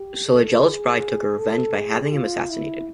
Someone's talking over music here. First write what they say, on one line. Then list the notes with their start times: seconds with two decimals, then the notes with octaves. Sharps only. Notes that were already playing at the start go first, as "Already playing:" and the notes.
So the jealous bride took her revenge by having him assassinated.
Already playing: G4
0.27 A4
0.64 G#4
1.39 A4
1.76 G#4
2.13 F4
2.50 E4